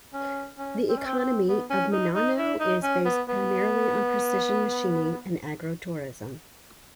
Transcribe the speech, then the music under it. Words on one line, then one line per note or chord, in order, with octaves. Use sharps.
The economy of Minano is based primarily on precision machining and agro-tourism.
C#4
C#4
C4
C#4
C4
C4
B3
C#4
D#4
D#4
E4
D#4
C#4
B3
B3